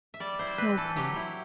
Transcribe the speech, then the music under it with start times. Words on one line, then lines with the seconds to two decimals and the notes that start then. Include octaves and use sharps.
Snow Cream.
0.14 E5
0.20 G3 D5
0.39 E4 C5
0.58 C4 B4
0.77 E3 A4
0.96 F#3 G4
1.16 E4